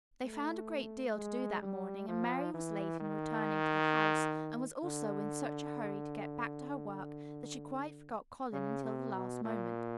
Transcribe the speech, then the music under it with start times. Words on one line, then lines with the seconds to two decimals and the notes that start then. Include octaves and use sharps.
They found a great deal to do that morning and Mary was late in returning to the house and was also in such a hurry to get back to her work that she quite forgot Colin until the last moment.
0.24 A3
1.16 G#3
1.62 G3
2.08 F3
2.54 E3
3.00 D#3
4.84 D3
8.53 C#3
8.84 C3
9.14 B2
9.44 A#2